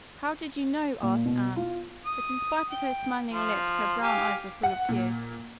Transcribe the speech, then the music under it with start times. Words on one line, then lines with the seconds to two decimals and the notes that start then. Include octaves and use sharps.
"How did you know?" asked Anne, but in spite of her smiling lips her brown eyes were full of tears.
1.03 A#2
1.26 B2
1.56 F4
2.05 D#6
2.71 G5
3.32 F3
4.02 G4 F5 G#5
4.63 F#5
4.89 A#2